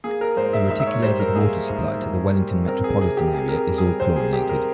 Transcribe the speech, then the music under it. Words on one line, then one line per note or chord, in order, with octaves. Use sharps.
The reticulated water supply to the Wellington metropolitan area is all chlorinated.
A#3 G#4
A#4
G#2 C5
E5
G#2 E5
E5
C#5
G3 C5
A#4
A#3 G#4
G#2
G#2
G3
C4 A#4
G#4
C3 G#4
G4
C3 G#4
A#4
G#4
G3
G#4
C4 C5
G#4
C3 G4
A#4